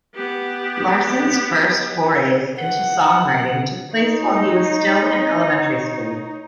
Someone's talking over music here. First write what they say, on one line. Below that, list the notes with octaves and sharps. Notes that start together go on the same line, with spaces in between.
Larsen's first forays into songwriting took place while he was still in elementary school.
B3 G4
F#5
D#4 C#5